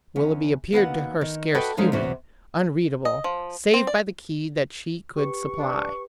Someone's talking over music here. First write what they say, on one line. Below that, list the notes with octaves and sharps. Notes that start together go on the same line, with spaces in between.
Willoughby appeared to her scarce human, unreadable, save by the key that she could supply.
E2 C#4
D#2 B3 F#4 F#5
D#3
F#4 A4 B4 D5 D#5 G5
D3 F3 G#3 C#4 D#4
E2 C3 F#4
D#5
F3
C4
D5
G4 B4 C#6
D4